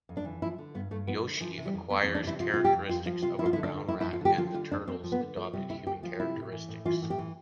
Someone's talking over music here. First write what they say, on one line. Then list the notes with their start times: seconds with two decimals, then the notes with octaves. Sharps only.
Yoshi acquires characteristics of a brown rat and the turtles adopt human characteristics.
0.09 F2
0.17 D4
0.25 E3
0.42 F3 E4
0.58 D3
0.75 G2 B3
0.91 G2 A3
1.07 F3 B3
1.24 D3
1.40 E3 F3
1.58 C3
1.65 G3
1.74 F2
1.90 F2 B3
2.03 C4
2.07 E3
2.15 D4
2.23 C3 E4
2.40 F3 F4
2.54 C3 F4
2.64 G4
2.73 F2
2.89 F2 F4
3.06 F3 F4
3.22 C3 F4
3.38 F3 E4
3.46 F4
3.53 E4
3.56 D3
3.63 D4
3.72 F2
3.88 F2 E4
4.01 E4
4.05 F3
4.13 F4
4.21 D3 G4
4.37 F3 F4
4.54 D3 F4
4.71 F2 D4
4.87 F2 C4
5.04 F3
5.12 B3
5.20 D3
5.37 F3 A3
5.53 C3 G3
5.70 D2 E4
5.86 D2 G4
6.03 F3 F4
6.19 C3 E4
6.36 A2
6.52 E3
6.69 A2
6.85 E3 F4
7.02 A2
7.10 G4
7.18 E3